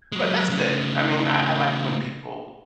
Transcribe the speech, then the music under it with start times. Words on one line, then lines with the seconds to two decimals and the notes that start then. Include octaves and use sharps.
But that's good. I mean, I I like when people,
0.12 F#3 G#3
0.49 C#3 A3